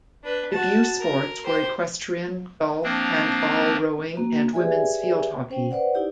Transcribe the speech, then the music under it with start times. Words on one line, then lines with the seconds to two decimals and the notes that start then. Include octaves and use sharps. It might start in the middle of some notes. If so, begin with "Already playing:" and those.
Debut sports were equestrian, golf, handball, rowing, and Women's field hockey.
0.24 D4 B4
0.52 F#4 A5
1.00 A#4
1.45 G4 C5
2.83 F3 A#3 C4 D4
4.15 A#3 F#4
4.53 G4 G#4 B4 D5 E5 G#5
5.50 C#4 C5 G5
5.71 B4 C5 D5 F#5
5.94 D#4 E4 G4 D5